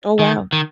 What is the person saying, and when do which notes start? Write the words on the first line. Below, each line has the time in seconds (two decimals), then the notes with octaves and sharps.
Oh, wow.
0.19 D#3
0.53 D#3